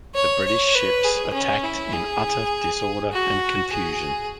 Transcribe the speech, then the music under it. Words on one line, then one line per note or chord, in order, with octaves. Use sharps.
The British ships attacked in utter disorder and confusion.
C#5
C#5
B4
G#4
C#4
E4
G#4
F#4
G#4